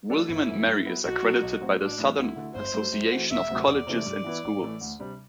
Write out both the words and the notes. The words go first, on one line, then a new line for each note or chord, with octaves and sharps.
William and Mary is accredited by the Southern Association of Colleges and Schools.
F#3 A3 D4 A4
G1 E4
F#2 E3
G2
F#3 B3 E4 B4
B1 F#4
B2 F#3
B1
A2 F#3 C4 F#4
A1 D4
A2 E3 G3
D2 E4
D3 A3
G1 C5
G2 F#3 A3
F#2
E3 A3 C4 F#4
E1 E5
D2 C3 F#3
E2 D5
C3 E3 A3
G2
E3 B3 E4
A1
A2 E3 A3
D2
C3 G3 D4